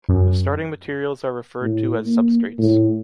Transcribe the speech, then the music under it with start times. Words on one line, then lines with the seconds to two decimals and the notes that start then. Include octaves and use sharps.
The starting materials are referred to as substrates.
0.09 F#2
1.61 A2
2.06 A#3
2.58 A2